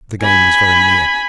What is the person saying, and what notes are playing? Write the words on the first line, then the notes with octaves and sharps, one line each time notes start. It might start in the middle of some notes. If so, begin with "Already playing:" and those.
The game was very near.
G#5 B5